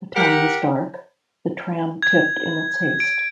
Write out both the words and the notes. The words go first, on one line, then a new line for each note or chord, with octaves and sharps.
The town was dark; the tram tipped in its haste.
G4 A#4 F#5
G#6
D7